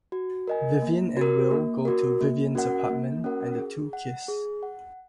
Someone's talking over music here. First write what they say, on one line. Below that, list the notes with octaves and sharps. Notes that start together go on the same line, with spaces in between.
Vivian and Wil go to Vivian's apartment and the two kiss.
F#4
A#4 D#5 G#5
A#3
F#4 A#4
A#3
F#4 A#4
A#3
C#4 F#4 A#4 F#5
A#3
C#4 F#4 A#4 F#5
G#4
F#5
G#4
F#5